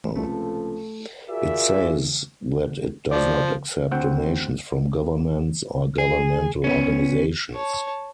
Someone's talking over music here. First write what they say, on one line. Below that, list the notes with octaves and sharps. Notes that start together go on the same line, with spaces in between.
It says that it does not accept donations from governments or governmental organizations.
C#2 C3 F3 A3
F4 F#4 G#4 A#4 D5 E5
F3 D5
D2 C4 F#5 G5
G#4
B3 C#4
C#5 A5